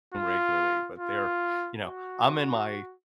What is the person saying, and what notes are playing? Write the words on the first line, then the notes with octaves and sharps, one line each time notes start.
regularly, but they're, you know I'm in my
F4
F4
F#4